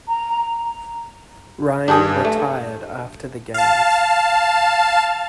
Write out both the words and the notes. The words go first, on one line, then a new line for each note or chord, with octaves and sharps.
Ryan retired after the games.
A#5
G2 D4 G#4
A3
F5 A5